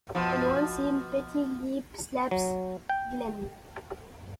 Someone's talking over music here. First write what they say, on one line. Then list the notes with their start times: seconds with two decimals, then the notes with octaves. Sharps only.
In one scene, Betty Lee slaps Glenn.
0.15 B2 F3
2.31 F#3
2.89 G5